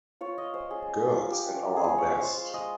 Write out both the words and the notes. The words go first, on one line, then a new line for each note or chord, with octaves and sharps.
Girls at Our Best!
F4 C#5
F4 D#5
G#3 C5
C#4 G#4
G#3
F4
A#4
F4
G4
G#3
C#4
F4
G#4
F4
C#5
G#3
F4 C5
G#3
G#3 D#5